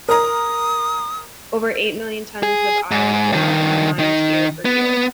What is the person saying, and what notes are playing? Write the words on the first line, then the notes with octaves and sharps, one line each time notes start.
Over eight million tons of iron ore are mined here per year.
A#4 A#5 D#6
G#4
G#2
G2 D#3
D#3 D#4
B3